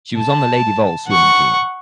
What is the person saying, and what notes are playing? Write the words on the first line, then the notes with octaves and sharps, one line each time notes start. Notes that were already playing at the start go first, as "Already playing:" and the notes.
She was on the Lady Vols swimming team.
A5
F#5 C#6